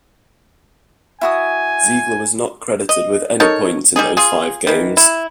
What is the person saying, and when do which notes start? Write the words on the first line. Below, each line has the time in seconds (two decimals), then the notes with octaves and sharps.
Ziegler was not credited with any points in those five games.
1.21 E4 F#4 G#5 D#6
2.89 D#5
3.40 D#4 A4 A#4 C#5
3.96 G3 D#4 G#4
4.17 F4 G#4
4.67 D#3 E3
4.97 E4